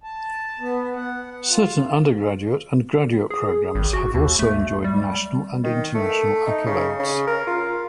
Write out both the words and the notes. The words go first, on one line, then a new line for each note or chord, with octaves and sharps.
Certain undergraduate and graduate programs have also enjoyed national and international accolades.
A5
B3
F#5
F4
G#4
G#1
F#4
D#2
A3
G3
D#3
A3
D#4
C#3
C#3
A#4
F4